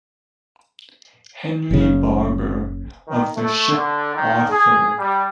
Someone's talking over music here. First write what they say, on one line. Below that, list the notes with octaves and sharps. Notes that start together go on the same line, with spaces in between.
Henry Barber, of the ship "Arthur".
F#1 C#3
D#3
A3
D3
D#3
G#4
G3